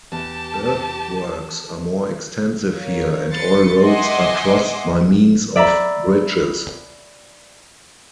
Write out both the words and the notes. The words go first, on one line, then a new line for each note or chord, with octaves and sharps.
Earthworks are more extensive here, and all roads are crossed by means of bridges.
E2 G4 A5
A#3 C#5
B4 C6 A6 C#7
D#5 E5 F#5 G#5 C6 D6
D5 E5 A#5 B5